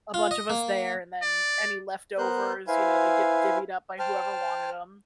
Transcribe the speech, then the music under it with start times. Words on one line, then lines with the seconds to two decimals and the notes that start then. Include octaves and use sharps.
a bunch of us there and then any leftovers, you know, they get divvied up by whoever wanted 'em.
0.14 F4
0.31 D#5
0.50 A#3
1.22 D5
2.18 B3 A#4 C5 F#6 G6
2.68 E4 B4 C5 F5 G#5
3.99 C5 G5 A5 F6